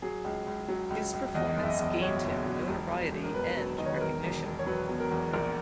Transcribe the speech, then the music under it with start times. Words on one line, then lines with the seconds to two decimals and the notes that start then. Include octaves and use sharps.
His performance gained him notoriety and recognition.
0.02 F#3 G#4
0.24 C#2
0.46 C#2
0.68 F#3
0.90 C#2
1.13 C#2
1.34 E2 D#5
1.57 F#1
1.63 E5
1.68 D#5
1.79 E2
2.01 B2 C#5
2.23 F#1
2.46 B2
2.67 E1
2.89 E1
3.12 E1
3.23 A#4
3.34 E1 B4
3.56 F#3
3.78 D#3 D#5
3.86 C#5
3.93 B4
4.01 E1 A#4
4.23 E1
4.45 E1
4.59 C#5
4.67 F#3 B4
4.89 B2
5.00 A#4
5.11 E2
5.33 A#1 A#4